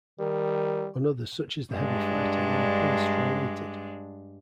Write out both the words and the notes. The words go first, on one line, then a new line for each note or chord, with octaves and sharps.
On others such as the heavy fighter they appear striated.
D#3 G3
G2 G#3 D4